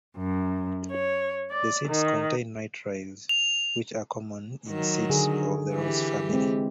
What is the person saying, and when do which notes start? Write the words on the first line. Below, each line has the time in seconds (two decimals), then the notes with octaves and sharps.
The seeds contain nitriles, which are common in seeds of the rose family.
0.16 F#2
0.91 C#5
1.50 D5
1.87 D#3
3.29 F7
4.68 D#3 F#3
5.10 D3 G#4
5.74 E3 G4
6.29 G#3 C4